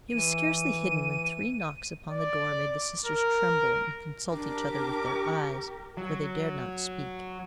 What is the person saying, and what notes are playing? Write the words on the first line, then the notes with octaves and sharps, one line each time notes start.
He was scarcely hidden when three knocks upon the door made the sisters tremble and consult each other with their eyes, for they dared not speak.
E3 D#7
D5
A#4
D4 G4 A#4 D6
F#3